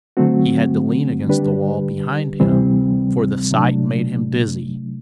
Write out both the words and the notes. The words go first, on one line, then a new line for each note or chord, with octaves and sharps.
He had to lean against the wall behind him, for the sight made him dizzy.
D3 F#3 A3 C4 F#4
D3 G3 D4 G4 B4
D2 C3 E3 G3 C4
C3 F#3 A3 D4